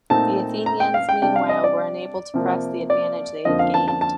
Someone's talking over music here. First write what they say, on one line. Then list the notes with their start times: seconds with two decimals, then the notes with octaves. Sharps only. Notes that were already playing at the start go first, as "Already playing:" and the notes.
The Athenians, meanwhile, were unable to press the advantage they had gained.
0.10 A#2 A3 C4 D#4 A5
0.66 A#5
0.80 G5
0.94 F5
1.09 G5
1.22 C3 G3 D4 G5
1.36 F5
1.49 D#5
1.64 D5
2.34 C3 F3 A#3
2.90 D5
3.45 F2 D3 F3 A#3 D#5
3.59 F5
3.74 A5
3.88 A5
4.01 A5